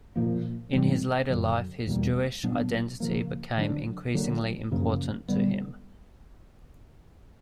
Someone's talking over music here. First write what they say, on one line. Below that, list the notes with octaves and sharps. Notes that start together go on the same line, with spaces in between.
In his later life, his Jewish identity became increasingly important to him.
A#2 F3 A#3
G#2 E3 G3 C4
F#2 D3 F#3
E2 B2 G3 A#3
A#2 F#3 B3 D4
C#3 F3 A#3
D3 F#3 A#3 D4
D3 F#3 A#3
F#2 C#3 F3 A#3
D3 G3 B3